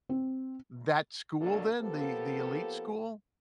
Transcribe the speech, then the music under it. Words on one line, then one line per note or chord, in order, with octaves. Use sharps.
that school then, the the elite school?
C4
G2 B2 D3 F#3 A#3 A4
F3 A#3 B3 G4 A4